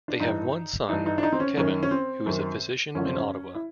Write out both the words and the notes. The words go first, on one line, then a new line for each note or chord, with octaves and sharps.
They have one son, Kevin, who is a physician in Ottawa.
D4
G2 E3 D#4
G2 E3 D#4
D#4
D4
D#4
C4
C#4
F#2 D#3 C#4
C#4
C4
F#2 D#3
F#2 D3 F3 C#4
C4
C#4
E4